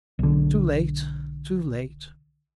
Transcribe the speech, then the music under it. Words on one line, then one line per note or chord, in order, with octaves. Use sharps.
Too late!--too late!
B1 D3